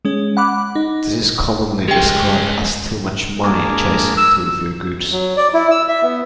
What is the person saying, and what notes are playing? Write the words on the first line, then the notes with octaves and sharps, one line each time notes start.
This is commonly described as "too much money chasing too few goods".
G#3 C#4
F#5 B5 D6 F#6
D#4
G#3 C#4 G4 G5
G#3 A#3 D4
E6
F#3
D5
E4
E6
E5
B3